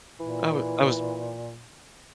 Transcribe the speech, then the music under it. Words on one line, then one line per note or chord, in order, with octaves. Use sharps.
I wa I was
A#2 E3